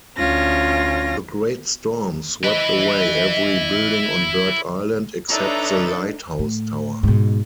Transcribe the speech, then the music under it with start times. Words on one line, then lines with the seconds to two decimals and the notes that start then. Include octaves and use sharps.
The great storm swept away every building on Bird Island except the lighthouse tower.
0.17 D2 C#4 F4 A#6
2.44 E4 B4 D#5
5.29 D4 D#4 A4 B4 C#5 E5 A#5
6.39 A2
7.03 G#2 B2